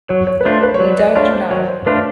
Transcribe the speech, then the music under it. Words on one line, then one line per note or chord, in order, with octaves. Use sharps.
We don't know.
F#3 C#5
C#5
B4
A3 D4 F4 C5
B4
C#5
F#3 D5
D5
A3 D4 F4 C#5
C5
F#3 C#5
C5
A3 D4 F4 B4